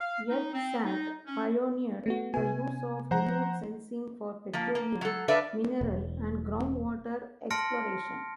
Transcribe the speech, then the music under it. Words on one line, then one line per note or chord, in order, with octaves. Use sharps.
EarthSat pioneered the use of remote sensing for petroleum, mineral and groundwater exploration.
F5
D#4
C4
D#4
C#4
A3 B3 F#4
C3 B3 G#5
F3 C5 F#5 A#5
F3 A#3
A#3
F#3 A4
D4 A4 B4 D5 E5 F5
E1
A5 C6 F6 A#6 C#7 D7